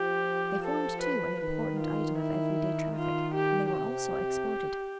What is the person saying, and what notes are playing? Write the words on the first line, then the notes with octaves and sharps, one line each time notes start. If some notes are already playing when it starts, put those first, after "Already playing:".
They formed, too, an important item of everyday traffic, and they were also exported.
Already playing: F3 G4
A4
B4
D#3 B4
F4
E4
F4
G4
C3 G4